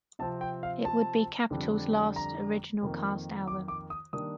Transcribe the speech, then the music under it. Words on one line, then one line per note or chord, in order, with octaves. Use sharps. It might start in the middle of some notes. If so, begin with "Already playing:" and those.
It would be Capitol's last original cast album.
C3 F3 C4 A5
G5
F5
A5
F2 D3 G3 D4
A#5
F2 D#3 A#3
D6
D6
D#6
D#3 G3 A#3 D4 D#6